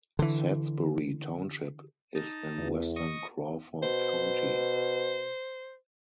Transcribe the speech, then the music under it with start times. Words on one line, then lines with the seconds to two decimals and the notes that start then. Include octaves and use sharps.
Sadsbury Township is in western Crawford County.
0.19 D3 E3
2.15 D#4 A5
2.58 E2
2.96 D#5 C#6 D#6
3.83 B2 C5